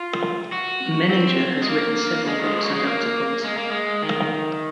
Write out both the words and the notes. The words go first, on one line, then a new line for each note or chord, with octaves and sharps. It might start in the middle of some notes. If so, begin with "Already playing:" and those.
Menninger has written several books and articles.
Already playing: F4
F#4
C4
G#3
A#3
G#3
D#3
F3
F#3
G#3
A#3
G#3
A#3
G#3
D#3